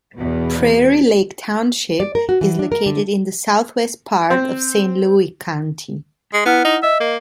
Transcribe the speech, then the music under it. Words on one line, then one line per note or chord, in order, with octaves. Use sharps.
Prairie Lake Township is located in the southwest part of Saint Louis County.
E2 B2
D5
A#4
F#4
E3
D4
A#4
D3
C4
G#3
B3 E4 F#5 F6
D#4
D#5 E5
A#3